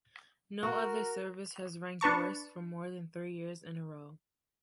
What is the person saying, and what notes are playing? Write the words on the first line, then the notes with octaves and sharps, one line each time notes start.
No other service has ranked worst for more than three years in a row.
F#4 A#4
D4 B4 A5 C#6